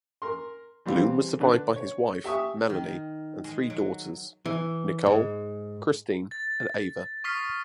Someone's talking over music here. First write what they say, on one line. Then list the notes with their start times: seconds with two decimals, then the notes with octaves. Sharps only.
Bloom was survived by his wife, Melanie, and three daughters: Nicole, Christine, and Ava.
0.22 A#4 C6
0.86 E3 G3 C4 F5
1.40 D3 D4 B4
1.76 C#5
2.24 G4 E5 C#6 D#6
2.70 D#3
3.44 G#3
3.70 F#3
4.46 E3
5.06 G#2
6.31 A6
7.24 C#6 D#6 F6 B6 C7